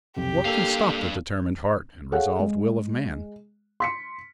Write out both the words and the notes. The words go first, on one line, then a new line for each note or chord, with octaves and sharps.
What can stop the determined heart and resolved will of man?
B1 F2 C3 G4
G2 A#3 A4 F5
G#4 A4 C#5 F5 F#5
G#3
C6 B6 C#7